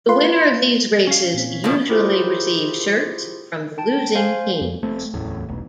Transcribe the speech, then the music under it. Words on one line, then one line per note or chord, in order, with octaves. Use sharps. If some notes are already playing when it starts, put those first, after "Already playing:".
The winner of these races usually receive shirts from the losing teams.
F4 B4 C6
C#4 F5
A#2 C4 B6
B2 D#3 F3
E4 F4 G4 G#4 A#4 C5
G5 A5
C5 F5 G#5
F2
F1 A3 C4
D1 A1 E2 A2
E1 B1